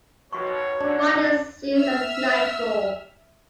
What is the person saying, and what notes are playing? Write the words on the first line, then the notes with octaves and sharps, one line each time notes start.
Fightings ceased at nightfall.
D#2 B2 F#4 C#5 C6 C#6
G#2 D3 D4
E5 E6 F6